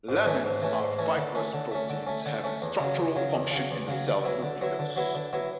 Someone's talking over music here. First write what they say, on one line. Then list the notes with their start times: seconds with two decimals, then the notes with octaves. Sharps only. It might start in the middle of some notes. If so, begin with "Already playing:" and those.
Lamins are fibrous proteins having structural function in the cell nucleus.
0.09 G#2
0.26 E3 A3 C#4
0.44 G#2
0.62 E3 A3 C#4
0.80 G#2
0.99 E3 A3 C#4
1.16 D3
1.35 A3 C#4
1.54 D3
1.72 A3 C#4
1.90 D3
2.07 A3 C#4
2.26 D3
2.44 A3 C#4
2.62 E2
2.80 C#3 F#3
2.97 E2
3.16 C#3 F#3
3.34 E2
3.52 C#3 F#3
3.71 E2
3.88 C#3 F#3
4.07 D3
4.24 F#3 B3 E4
4.43 D3
4.61 F#3 B3 E4
4.79 D3
4.96 F#3 B3 E4
5.15 D3
5.33 F#3 B3 E4